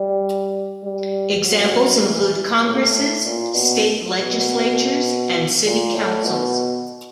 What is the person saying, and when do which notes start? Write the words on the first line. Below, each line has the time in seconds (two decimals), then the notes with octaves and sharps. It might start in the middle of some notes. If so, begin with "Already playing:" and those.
Examples include congresses, state legislatures, and city councils.
Already playing: G3
0.84 G3
1.44 F#3
2.04 E3
2.64 A2
3.24 A#2
3.54 B2
4.14 B2
5.65 A#2
5.94 A2
6.25 B2